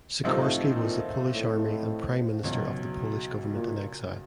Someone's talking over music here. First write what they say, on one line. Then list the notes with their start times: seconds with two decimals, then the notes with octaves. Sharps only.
Sikorski was the Polish Army and Prime Minister of the Polish government in exile.
0.24 A2 C3 F3 A3 C4 D#4
0.79 A#2
1.33 A2
2.44 C#2 B2 F#3
3.54 A#2